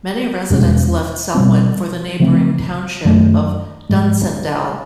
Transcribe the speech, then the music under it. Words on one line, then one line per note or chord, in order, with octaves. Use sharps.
Many residents left Selwyn for the neighbouring township of Dunsandel.
E2 B2 G#3 C#4
B2 G3 C4
C#3 F3 A3 C4
F#2 D#3 F#3 A3
G#2 F3 G#3